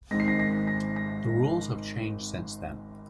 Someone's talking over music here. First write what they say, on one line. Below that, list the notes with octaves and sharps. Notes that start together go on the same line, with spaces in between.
The rules have changed since then.
G#1 G#2 D#3 G#3 C4 A#6
C7
A#6
A#6
A#6
A#6